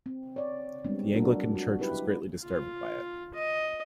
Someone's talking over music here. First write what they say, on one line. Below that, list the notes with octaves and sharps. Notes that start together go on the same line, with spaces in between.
The Anglican Church was greatly disturbed by it.
C4
C#5 D5
G3 G#3 B3 C4 D4
F#3 D4 F4 F#4 A4 A#4
F#4
D#4 E4 G4 B4
F4
D#5